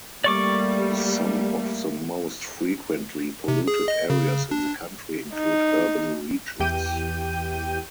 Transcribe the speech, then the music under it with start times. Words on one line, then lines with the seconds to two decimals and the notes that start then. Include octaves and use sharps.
Some of the most frequently polluted areas in the country include urban regions.
0.24 G3 A3 A#3 D5 C#6 D6
3.48 C3
3.68 G#4
3.88 D#5
4.10 C#3
4.51 D4
5.35 D#4
6.60 E2 E3 G4 G5 G6 D#7